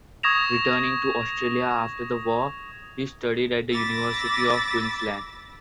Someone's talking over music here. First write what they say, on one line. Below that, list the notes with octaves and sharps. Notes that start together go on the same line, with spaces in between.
Returning to Australia after the War, he studied at the University of Queensland.
C#6 D#6 G#6 A#6 E7 F7
B5 D6 E6 A6 A#6